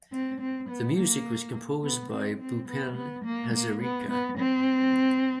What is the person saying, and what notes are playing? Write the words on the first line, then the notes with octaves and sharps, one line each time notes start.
The music was composed by Bhupen Hazarika.
C4
C4
B3
A#3
B3
C4
C4
B3
B3
A#3
A#3
B3
B3
C4